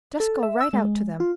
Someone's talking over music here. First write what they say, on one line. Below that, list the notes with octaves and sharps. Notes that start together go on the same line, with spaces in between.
Just go right out to them.
A4
E5
E6
G#3
F4